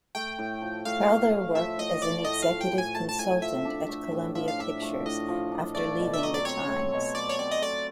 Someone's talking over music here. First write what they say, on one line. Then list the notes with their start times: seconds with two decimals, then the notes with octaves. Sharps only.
Crowther worked as an executive consultant at Columbia Pictures after leaving the "Times".
0.15 A3 G5
0.39 A2
0.62 F3
0.85 A2 F5
1.08 A3
1.32 A2
1.55 F3 E5
1.78 A2 D#5
2.01 A3 D5
2.25 A2 D#5
2.42 F5
2.48 F3
2.61 G5
2.72 A2
2.78 G#5
2.95 A3 A5
3.09 A5
3.18 A2 G#5
3.42 F3 E5
3.65 D4
3.88 A3
4.12 A2
4.35 F3 E5
4.48 F5
4.59 D4 E5
4.82 A3
5.06 A2 D#5
5.28 F3
5.52 D4
5.75 A3 D5
5.99 B2
6.14 E5
6.22 F#3 D#5
6.34 D5
6.45 C4 C#5
6.68 A3
6.93 B2
7.15 F#3 D5
7.29 C#5
7.38 C4 D5
7.51 D#5
7.62 A3 D5